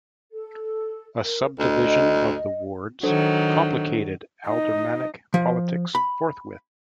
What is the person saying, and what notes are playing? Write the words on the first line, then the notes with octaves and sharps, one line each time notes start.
A subdivision of the wards complicated aldermanic politics forthwith.
A4
A#4
D2 D#5
D#3 F#3 D4 A4 C5
D#4 D#5
F3
B5